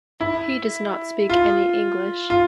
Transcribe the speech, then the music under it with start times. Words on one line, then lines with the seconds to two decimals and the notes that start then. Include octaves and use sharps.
He does not speak any English.
0.21 E4
1.30 F4
2.30 F4